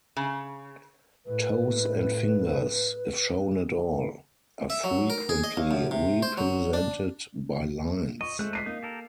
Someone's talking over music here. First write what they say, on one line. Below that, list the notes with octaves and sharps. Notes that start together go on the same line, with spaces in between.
Toes and fingers, if shown at all, are frequently represented by lines.
C#3
A2 B4
E5
F#3
A#4
G#4
D#5
D#2
F#2
C3
C5
F#3
D4
D#5 C#6
G#3 A3 C5 F#6
B6 C7 D#7
A#3 D#4
G4 A4 A#4